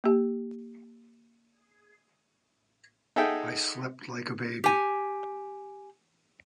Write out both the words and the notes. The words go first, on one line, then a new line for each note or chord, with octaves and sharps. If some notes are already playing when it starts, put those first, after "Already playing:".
I slept like a baby.
A#3 G4
D#4 G#4 A4 E5 F#5 G5
G4 G#5